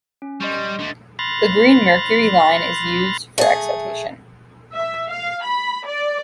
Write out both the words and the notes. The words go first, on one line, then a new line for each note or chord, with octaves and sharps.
The green mercury line is used for excitation.
C#4
G3 D#5 C6 C#6
D3 A3
B5 C6 F6 F#6 A6 A#6
A3 G#4
E5
F5
B5
D5